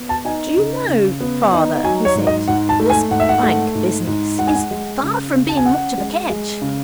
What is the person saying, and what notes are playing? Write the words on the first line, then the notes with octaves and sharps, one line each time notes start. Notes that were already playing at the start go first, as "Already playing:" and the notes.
'Do you know, father,' he said, 'this bank business is far from being much of a catch.
Already playing: B3
A5
D#4 G#5
C#3
C#3
B3
D#4
F#3 G#5
C#5
G#2
D#5
G#2 F#5
A5
A3
G#5
G#2 F#5
E5
F#5
A3
G#2
G#2
G#3 F#5
G#5
F#5
G#3
C#3
C#3
A5
G#5
C#4 F#5
G#3
G#3
C#3